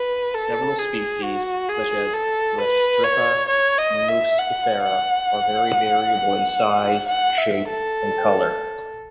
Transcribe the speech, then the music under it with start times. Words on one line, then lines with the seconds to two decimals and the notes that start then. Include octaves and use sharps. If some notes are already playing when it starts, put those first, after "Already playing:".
Several species, such as "Restrepia muscifera", are very variable in size, shape and color.
Already playing: B4
0.34 A4
0.79 G#4
1.24 F#4
1.69 G#4
2.13 A4
2.59 B4
3.04 C#5
3.49 C#5
3.79 D#5
4.09 E5
4.38 F#5
4.84 F#5
7.08 F#5
7.38 E5
7.68 A4